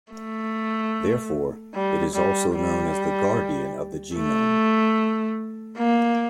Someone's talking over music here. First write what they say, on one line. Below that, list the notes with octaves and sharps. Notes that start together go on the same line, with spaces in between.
Therefore, it is also known as the guardian of the genome.
A3
G3
G3
G3
A3
A#3